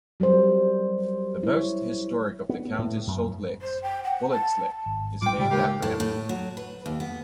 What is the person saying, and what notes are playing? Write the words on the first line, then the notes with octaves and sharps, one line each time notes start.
The most historic of the county's salt licks, Bullitt's Lick, is named after him.
F#3 G3 A#4 C5
E4 C#5
B3
A2
F#2
C5
G5
F#5
A5
G#1
A2 G3 G#3 F4 G5 D6
C#3 G3 G#3
D#2 G4 A#4 F5
A2
A2
F#3
B4
D#2
B3